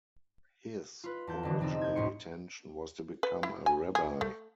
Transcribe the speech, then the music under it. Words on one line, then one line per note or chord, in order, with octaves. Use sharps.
His original intention was to become a rabbi.
F4 B4
E2 A5 G6
F2 D3 E3
C3 C4 D#4 A4
G6 G#6
C#2 A2 G#4 C6 C#7
B4
E4
G#5
G#4
A3